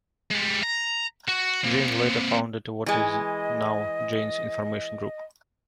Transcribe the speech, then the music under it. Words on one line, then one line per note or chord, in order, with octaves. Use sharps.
Jane later founded what is now Jane's Information Group.
G3 G#3
A#5
F#4
A#3 C4
E3 G#3 D#5